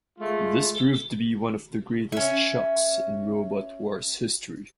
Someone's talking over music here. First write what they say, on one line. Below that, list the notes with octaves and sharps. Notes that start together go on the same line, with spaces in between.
This proved to be one of the greatest shocks in Robot Wars history.
G#3 A3 F4
C#4 E5